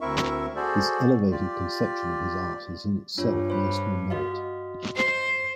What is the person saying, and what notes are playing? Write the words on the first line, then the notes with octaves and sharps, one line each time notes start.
This elevated conception of his art is in itself no small merit.
D2 C4 E4 A#4 E5 C#6
F#4 G#4 A4 C5 D5
F4 G4 D5
G2 D4 F4 C#5
C5 C#5 B5
F#4 D#5 F5
C5